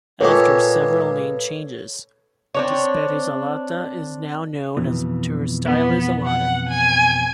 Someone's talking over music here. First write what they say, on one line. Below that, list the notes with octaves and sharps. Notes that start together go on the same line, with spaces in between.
After several name changes, "Disperis alata" is now known as "Pterostylis alata".
A#2 G#3 G4 A4 B4 C#5
C4 D4 C#5
F2 B2 E3
B3
F#5
G#5